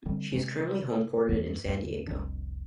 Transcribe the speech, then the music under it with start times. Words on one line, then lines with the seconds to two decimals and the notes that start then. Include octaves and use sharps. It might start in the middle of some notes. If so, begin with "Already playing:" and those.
She is currently homeported in San Diego.
0.06 D3 D#3 G3 C4
0.32 C3 D#3 G#3
1.29 E2 E3 A#3 B3
1.65 D#2 G#2
2.07 F1 C2 D#3 D4